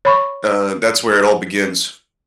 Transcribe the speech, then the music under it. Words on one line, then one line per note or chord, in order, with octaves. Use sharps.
uh, that's where it all begins.
C#5 B5 C#6